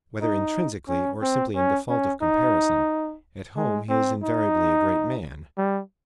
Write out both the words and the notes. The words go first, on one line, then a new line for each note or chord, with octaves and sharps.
Whether intrinsically, or simply in default of comparison, at home he is invariably a great man.
D#4
C#4
C4
C#4
C#4
D#4
G#3
C4
D#4
G3